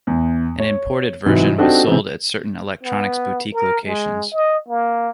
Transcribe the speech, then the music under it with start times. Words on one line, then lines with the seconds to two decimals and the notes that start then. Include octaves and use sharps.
An imported version was sold at certain Electronics Boutique locations.
0.07 E2
0.60 C#5
1.26 G#2 C3 E3 F#3
1.58 C4 D4 D#4 F#4 G4 A4
1.87 C3 E3
2.83 B3
3.54 A#4
3.85 G#3
4.34 D#5
4.68 A#3